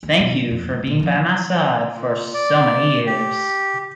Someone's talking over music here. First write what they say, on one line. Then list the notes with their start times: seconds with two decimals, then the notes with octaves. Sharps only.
Thank you for being by my side for so many years.
0.03 D2
0.20 B2
0.51 F2
0.70 G#3
0.87 A#1 B2
0.99 F3 F#3
1.96 A#2
2.34 D5
3.06 G4